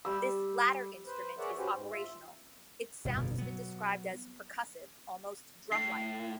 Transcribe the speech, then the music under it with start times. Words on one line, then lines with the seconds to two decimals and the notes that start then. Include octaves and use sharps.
This latter instrument is operational; its sound has been described as "percussive, almost drum-like".
0.05 G3 E6
1.06 B4 C5
1.38 G#4 A#4 C#5 D5 E5 F#5
1.58 C#4 F#4 G4 B4 C5
1.71 G#2
1.91 F4 E5
3.05 G1 F2 B2
3.18 B2
3.38 F#3 B3
5.72 A2 C7